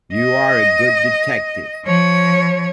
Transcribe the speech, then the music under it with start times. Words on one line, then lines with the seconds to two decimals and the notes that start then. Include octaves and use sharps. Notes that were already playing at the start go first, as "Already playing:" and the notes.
You are a good detective.
0.14 D#5
1.85 F3 C#5